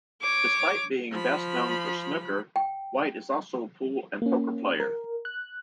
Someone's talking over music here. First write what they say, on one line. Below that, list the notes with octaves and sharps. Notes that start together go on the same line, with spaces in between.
Despite being best known for snooker, White is also a pool and poker player.
C#5 D6
F3 B5
G5
A#3 C#4
A#4
F#6